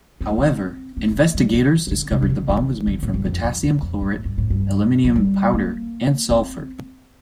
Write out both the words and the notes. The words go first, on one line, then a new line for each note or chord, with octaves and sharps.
However, investigators discovered the bomb was made from potassium chlorate, aluminium powder, and sulfur.
C4
A#3
C4
A#3
G3
A3
G3
F3
E3
D3
C3
E3
D3
E3
D3
A2
G2
F2
E2
E2
F2
G2
A2
G2
A2
G2
F3
G3
A#3
C4